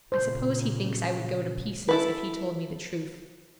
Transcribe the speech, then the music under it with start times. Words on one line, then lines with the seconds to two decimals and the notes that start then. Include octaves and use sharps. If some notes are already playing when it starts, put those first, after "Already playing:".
I suppose he thinks I would go to pieces if he told me the truth.'
0.12 A#2 C#3 C5
1.89 E4 A4 B4